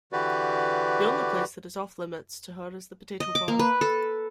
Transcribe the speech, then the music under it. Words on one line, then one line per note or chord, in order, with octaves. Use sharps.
The only place that is off-limits to her is the potato barn.
D3 E3 F#4 G4 B4 D5
D#5
D6
A#3
B4
A4